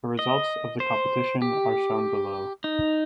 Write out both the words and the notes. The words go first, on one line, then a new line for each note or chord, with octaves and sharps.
The results of the competition are shown below.
D#5
C5
G4
D#4